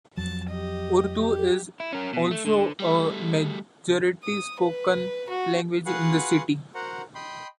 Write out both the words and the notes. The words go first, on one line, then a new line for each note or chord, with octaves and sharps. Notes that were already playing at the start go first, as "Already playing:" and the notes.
Urdu is also a majority spoken language in the city.
F2 F#3 A5
G4 D#5
G4
E4
C#4 A#4
B2
A3
D3
G3 A3
D#6
B4
F#4
F4 F#4 G#4 B4 F#5 C6
F#4 A#4 C5 F#5
D#5 G5 B5 C6